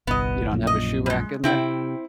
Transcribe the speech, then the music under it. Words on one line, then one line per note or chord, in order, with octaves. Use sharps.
You don't have a shoe rack in there?
G1 C2 B3 D#5
A#1 F#2 A#2
D#5
G3 G#3
C3 C4 E4 G5